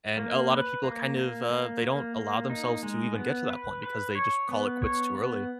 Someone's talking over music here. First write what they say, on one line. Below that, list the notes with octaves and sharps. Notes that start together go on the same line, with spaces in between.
And a lotta people, kind of, uh, they don't allow themselves to even get to that point because they just call it quits too early.
A#3
B4
A#3
A#3
A#3
A#3
A#3
D#4
G#3
B3
B4
B4
C#5
B3
C#5
B3